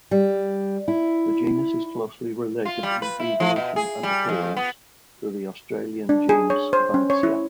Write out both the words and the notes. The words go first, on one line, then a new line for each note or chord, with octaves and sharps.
The genus is closely related in evolution and appearance to the Australian genus "Banksia".
G3
E4
F4
G3
B4
E4
F3
B2
G#4
G3
F2
B3
D4
G#4
C#5
C5
C#4
C#5
E4